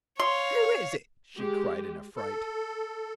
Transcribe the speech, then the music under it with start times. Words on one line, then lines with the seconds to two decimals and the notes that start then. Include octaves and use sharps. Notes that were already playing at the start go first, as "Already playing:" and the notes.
"Who is it?" she cried in affright.
0.19 C#5 F5 C6
1.36 G#3 G4
2.16 A4